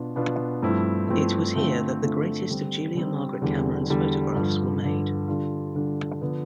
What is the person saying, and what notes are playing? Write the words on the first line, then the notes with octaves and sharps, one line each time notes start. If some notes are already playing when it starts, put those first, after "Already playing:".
It was here that the greatest of Julia Margaret Cameron's photographs were made.
Already playing: B2 B3 D4 F4
B2 B3 D4 F4
G2 F3 A3 C4 E4
G2 F3 A3 C4 E4
D3 A3 C4 F4
D3 A3 C4 F4
D3 G3 C4
D3 G3 C4
E2 D3 G3
E2 D3 G3
G2 D3 F3
G2 D3 F3
D3 G3 D4 F4
D3 G3 D4 F4
D3 F3 B3